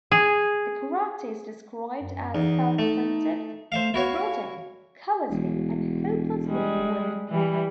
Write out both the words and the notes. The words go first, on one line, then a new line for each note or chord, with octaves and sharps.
The character is described as self-centred, neurotic, cowardly and hopeless with women.
G#4
F#2
E2 D#4
A3
A3 C5 E5 F5
E4 F#4 C#5 F5
E1
G3 G#3
E3 G3